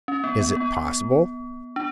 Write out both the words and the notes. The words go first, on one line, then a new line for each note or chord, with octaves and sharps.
"Is it possible?"
C#4
B3
B3
B3
D4